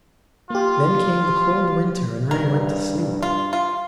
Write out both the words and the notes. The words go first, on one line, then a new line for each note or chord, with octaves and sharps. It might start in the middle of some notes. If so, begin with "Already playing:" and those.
Then came the cold winter, and I went to sleep.
A#3 F4 G4
G2 A#4
F4
F4